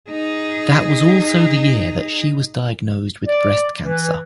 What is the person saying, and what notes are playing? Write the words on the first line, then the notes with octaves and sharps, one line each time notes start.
That was also the year that she was diagnosed with breast cancer.
D#4 G#4
D5
E3